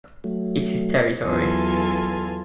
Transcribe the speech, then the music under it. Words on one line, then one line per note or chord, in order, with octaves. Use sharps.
It's his territory.
F#3 A3
E2 F#3 F4 A4 G#5